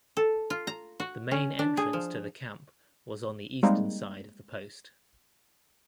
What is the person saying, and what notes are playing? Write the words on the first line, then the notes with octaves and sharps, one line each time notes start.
The main entrance to the camp was on the eastern side of the post.
A4
F4
A#5
F#4
C#4
D4
G#4
F3
G3 G#3 A#3 C4 D#4